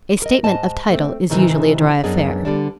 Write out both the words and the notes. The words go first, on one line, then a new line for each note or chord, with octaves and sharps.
A 'statement of title' is usually a dry affair.
A#4 D#5
G#2 D#5 A5
A3 C4
G#2 C3 D#3 E3 D#4
F#2 B3 D4 G#4 D#5
D3 G3 D4